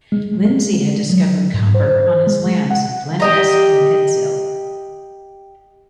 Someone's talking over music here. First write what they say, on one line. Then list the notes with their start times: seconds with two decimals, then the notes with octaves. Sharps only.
Lindsay had discovered copper on his lands of Glen Esk and Edzell.
0.12 G#3
0.45 G#3
1.10 F#3
1.54 G#2
1.74 C5
2.27 G#3
2.71 F#5
3.20 G4 D#5 A#5